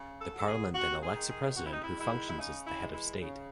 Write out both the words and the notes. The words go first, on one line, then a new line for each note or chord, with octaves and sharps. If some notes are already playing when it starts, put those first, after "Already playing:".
The parliament then elects a president, who functions as the head of state.
Already playing: C#3
A4
F#3 A4
G#4
C3 F#4
G#4
D#3 G#3
G#4
C3 F#4
E4
D#4
E4
D#3 G#3 E4
E4
C#3 D#4
E4
E3 G#3
E4
C#3